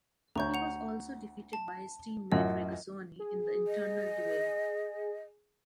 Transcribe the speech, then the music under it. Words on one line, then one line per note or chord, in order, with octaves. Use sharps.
He was also defeated by his teammate Regazzoni in the internal duel.
D2 C#5 A#5 C#6 G6
F#5 F7
A5
A1 F#2 F4 D#5
G#4
D#5